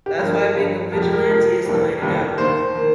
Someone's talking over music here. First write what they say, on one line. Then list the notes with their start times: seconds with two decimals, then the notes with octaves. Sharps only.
That's why being a vigilante is the way to go.
0.06 G4
0.18 G1 G2 F3 A#4
0.55 G1 G2 F3
0.92 F1 F2 F3 A#3 A#4
1.02 G4
1.13 A#4
1.29 F1 F2 F3 A#3
1.66 F1 D#2 D#3 G3 A#3
2.02 F1 D#2 D#3 G3 A#3
2.38 D#2 D#3 A#3 C5
2.75 D#3 A#3